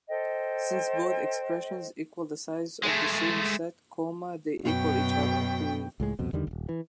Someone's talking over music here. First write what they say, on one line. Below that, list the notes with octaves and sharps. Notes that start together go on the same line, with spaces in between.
Since both expressions equal the size of the same set, they equal each other.
A4 C5 D#5 G5
G#3 A3
F#2 B2 G5
C#2 A2 G#3
C2 F2 B2
E2 D3 D#3 G3
D#1 C#2
E3